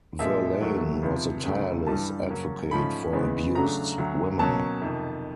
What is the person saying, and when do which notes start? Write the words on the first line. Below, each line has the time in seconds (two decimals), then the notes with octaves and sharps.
Verlaine was a tireless advocate for abused women.
0.19 A#2 F3 G#3 E5
0.61 D#2 D#3 F#3 A3
1.03 C#2 C3 F3
1.45 D2 C#3 F#3 A3
1.87 G2 E3 G3 A5
2.29 C#3 F#3 A#3 C#4
2.71 G#2 F3 A3 C#4 B5
3.13 E2 C#3 E3 G#3 B3
3.55 C#3 F#3 A3 D4 A#5
3.98 D2 D3 F#3
4.39 B2 F#3 A#3 C#4 A5
4.81 F2 C3 D#3